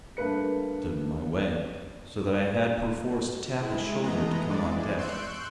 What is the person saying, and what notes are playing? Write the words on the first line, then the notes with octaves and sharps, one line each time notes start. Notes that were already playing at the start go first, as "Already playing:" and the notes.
He stood in my way, so that I had perforce to tap his shoulder to come on deck.
G2 A3 A#3 B4 C#7
G#3 E4
E3 G#3 A3 B3 D#5 A#5
E3 G#3 D5
C6 C#6 E6 F#6 G6 D7